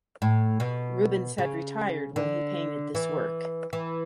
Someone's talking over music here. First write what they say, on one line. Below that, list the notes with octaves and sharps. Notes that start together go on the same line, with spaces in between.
Rubens had retired when he painted this work.
A2
B2
C#3
D3
E3
E3